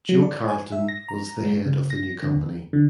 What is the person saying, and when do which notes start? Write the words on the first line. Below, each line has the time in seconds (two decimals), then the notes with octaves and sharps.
Joe Carlton was the head of the new company.
0.09 F#3
0.22 D5
0.48 G#5
0.72 E5
0.88 A#6
1.09 A#5
1.43 G#3
1.66 C#3
1.90 A#6
2.23 D3
2.35 D#2
2.73 D3